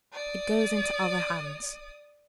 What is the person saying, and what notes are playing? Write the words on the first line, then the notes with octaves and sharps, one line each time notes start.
"It goes into other hands."
D5 D#6